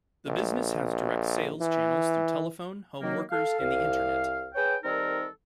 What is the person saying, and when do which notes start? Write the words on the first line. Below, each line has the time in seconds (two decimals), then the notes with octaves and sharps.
The business has direct sales channels through telephone, home workers, and the internet.
0.27 A#1
1.61 E3
3.02 D#3 F#3 A#3
3.31 A4 F5
3.59 C2 F5
4.55 G#4 B4 C#5 G5
4.84 D#3 G3 C4 D#4 A4 A#4